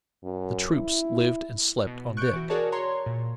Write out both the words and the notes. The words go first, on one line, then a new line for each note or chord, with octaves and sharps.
The troops lived and slept on deck.
F#2
E4
B2
C#6 F#6 G6 D7
E3 F#4
F#4 G#4 A#4 C#5 D5 A5
C#5 A#5 C6
A#2